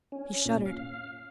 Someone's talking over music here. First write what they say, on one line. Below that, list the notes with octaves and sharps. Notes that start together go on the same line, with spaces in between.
He shuddered.
C#4
A#2
F5